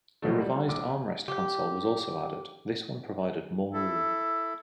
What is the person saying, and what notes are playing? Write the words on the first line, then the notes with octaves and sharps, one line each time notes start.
A revised armrest console was also added, this one provided more room.
B2 F3 F#3 A3
G3
A#1 D6
G4
E4 A4